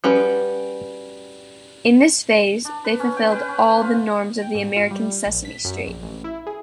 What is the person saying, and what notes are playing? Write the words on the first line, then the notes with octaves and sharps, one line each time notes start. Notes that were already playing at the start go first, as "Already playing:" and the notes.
In this phase, they fulfilled all the norms of the American Sesame Street.
G3 C#4 F#4 B4
D4
B4
C#4
G5
B4
C#4
F4
G5
G#2
F4
G3
A#1
B6
F#2
A#1
A1
E4
G#4